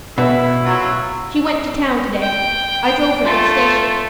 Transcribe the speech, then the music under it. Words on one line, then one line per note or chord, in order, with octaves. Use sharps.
She went to town today--I drove her to the station.
B2 E4 B4 E5
F#3 F4
G5
A3 F4